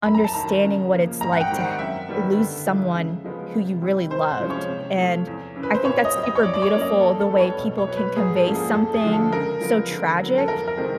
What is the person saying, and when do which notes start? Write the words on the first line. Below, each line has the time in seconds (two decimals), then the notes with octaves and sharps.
understanding what it's like to ha lose someone who you really loved, and I think that's super beautiful the way people can convey something so tragic
0.05 F#2 B5
0.15 A#5
0.24 A5
0.34 D#3 F#3 A#5
0.64 C#3
0.92 F3 A#3
1.21 G#2 A#5
1.33 F#5
1.41 G5
1.50 D#3 G3 C4
1.60 F#5
1.79 F#2 E5
2.09 D#3 G3 B3
2.37 D3
2.66 F3 G#3
2.95 C#3
3.24 F3 G#3 B3
3.53 C3
3.82 E3 G3
4.11 C3 C5
4.30 C5
4.40 F3 G#3 C#4
4.50 C#5
4.69 C3
4.98 F3 A3
5.27 E2
5.56 C#3 E3
5.63 B4
5.74 C5
5.84 A#2 C#5
6.05 D#5
6.13 G3 C4
6.23 D#5
6.35 C#5
6.43 A2 D5
6.54 D5
6.62 C#5
6.72 F#3 A#3 C#4
6.81 D#5
7.00 G2 A4
7.20 A4
7.30 E3 G3 B3
7.40 C#5
7.58 B2
7.78 C#5
7.88 F#3 B3
7.97 B4
8.16 G#2 G#4
8.36 A4
8.46 F3 A#3 C#4
8.55 G#4
8.74 F2 A4
8.94 G#4
9.03 D3 F3 G#3
9.13 A4
9.32 C#3 A#4
9.61 F3 G#3 B3
9.91 D3
10.19 F#3 B3
10.38 A4
10.48 F2 A#4
10.68 A#4
10.77 C3 D#3 G#3 C4